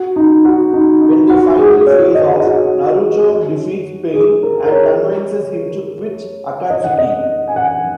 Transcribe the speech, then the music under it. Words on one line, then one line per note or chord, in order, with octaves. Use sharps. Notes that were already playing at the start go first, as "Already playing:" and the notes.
When they finally face off, Naruto defeats Pain and convinces him to quit Akatsuki.
Already playing: F#4
D#4
F#4
D#4
D#4
F#4
G#4
F#4
G#4
C#5
D#5
F#4
G#4
A#4
A#4
C#5
D#5
F#5
D#5
G#5
F#5